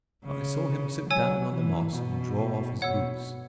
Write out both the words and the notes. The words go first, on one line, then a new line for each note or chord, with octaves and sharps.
I saw him sit down on the moss and draw off his boots.
C#3
F#3 C#5 G#5 E6
E3
B2
B2 C#5 F#5 E6